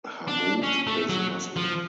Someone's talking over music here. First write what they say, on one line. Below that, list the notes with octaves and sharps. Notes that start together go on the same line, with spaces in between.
Hammoud is Muslim.
D4
C#4
A3
F#3
F3